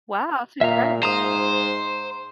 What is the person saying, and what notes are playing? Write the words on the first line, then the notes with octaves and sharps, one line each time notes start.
Wow, that's incredible.
A#2 E5 F5 A#5
G#2 C5 A#5 D#6